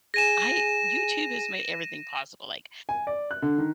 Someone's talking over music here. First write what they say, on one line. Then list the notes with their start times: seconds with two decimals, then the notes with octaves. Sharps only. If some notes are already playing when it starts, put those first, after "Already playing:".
"I YouTube has made everything possible, like,
0.14 G#4 G#5 A#6 D#7 E7
2.89 G#5
3.07 D5
3.31 F#6
3.42 D3
3.58 D#3